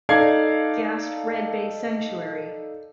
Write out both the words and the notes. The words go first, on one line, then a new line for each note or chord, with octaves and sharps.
Gast Red Bay Sanctuary.
D#4 A4 D5 F5 G#6 C7